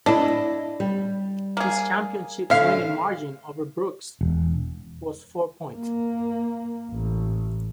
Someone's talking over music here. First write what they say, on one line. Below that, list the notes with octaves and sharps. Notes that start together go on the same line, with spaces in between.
His championship-winning margin over Brooks was four points.
D4 E4 D#5
G3
A#3 G#4
D3 C#4 E5 F5
E1
A#3
A1